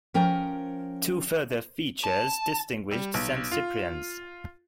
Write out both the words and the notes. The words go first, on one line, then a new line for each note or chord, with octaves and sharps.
Two further features distinguished Saint Cyprian's.
F3 C#4 A#4 G5
A5
G3
B1
F4